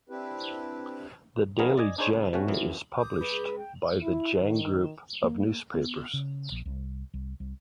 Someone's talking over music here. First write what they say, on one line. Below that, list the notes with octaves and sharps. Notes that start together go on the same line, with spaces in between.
The "Daily Jang" is published by the Jang Group of Newspapers.
C4 D4 E4 G4 B4
D#3 F3 F#3 B3 G#4 A#4
D5 D#5 G#5
D4 D#4 G#4 C5 C#5
C#2
C3 A3 C#4 F#4
F#2 E3 F#3
D6 D#6 G6
C#3 G#3 B4
G5
E4
D#3
A#3
B3
C#3
A#1
C2
C2
C2